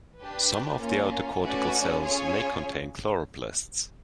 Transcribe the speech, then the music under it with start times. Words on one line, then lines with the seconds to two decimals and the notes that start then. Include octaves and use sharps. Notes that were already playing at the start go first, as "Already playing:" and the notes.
Some of the outer cortical cells may contain chloroplasts.
0.18 D4 G4 B4
0.79 A#3 C#4 F4
1.40 A3 C#4 F#4 B4 D5
2.01 C#4 F4 G#4 C#5